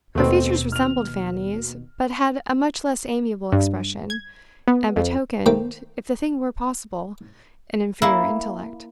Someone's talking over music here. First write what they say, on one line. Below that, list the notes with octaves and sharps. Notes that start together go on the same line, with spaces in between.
Her features resembled Fanny's, but had a much less amiable expression, and betokened, if the thing were possible, an inferior intellect.
D#2 B2 A3 C4
F6 F7
G2
G#6
B3
F2
D#3 A3 A#3 C5 F5 G5
A#3 E4